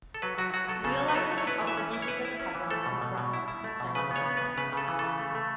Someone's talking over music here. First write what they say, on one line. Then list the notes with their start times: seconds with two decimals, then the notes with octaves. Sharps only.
Realizing it's all the pieces of a puzzle, we grasp the stunning answer.
0.14 A4
0.22 F#3 B4
0.38 F#3 F#4
0.54 F#3 F#4
0.68 F#3 A4
0.84 C#3 A4
0.99 F#3
1.08 B4
1.15 F#3 A4
1.32 A3
1.38 C#5
1.47 E4 B4
1.62 E3
1.67 E5
1.77 C#4
1.93 E4
2.02 C#5
2.08 E4 B4
2.25 E4
2.40 C#4
2.55 E3
2.71 A3 A4
2.86 B2
3.01 B2
3.18 B2
3.33 E4
3.48 E4
3.64 A3
3.80 B2
3.95 C#3 B4
4.11 B3
4.16 C#5
4.26 B3
4.37 B3 B4
4.57 C#3 B4
4.72 C#3 A4
4.88 E3
4.99 A4
5.04 C#3
5.19 A3
5.35 A3